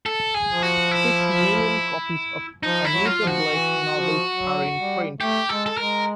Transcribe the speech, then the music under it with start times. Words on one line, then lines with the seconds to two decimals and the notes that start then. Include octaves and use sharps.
Six million copies of "Anita Blake" novels are in print.
0.06 A4
0.34 G#4
0.49 F3
0.63 F#4
0.91 E4
2.63 F3 D#4
2.85 E4
2.91 F#3
3.05 F4
3.20 F3
3.27 F#4
3.49 E3
3.93 F3
4.35 F#3
4.78 G3
5.21 A3 G4
5.49 G#3 A4
5.66 A4
5.78 G#3 A#4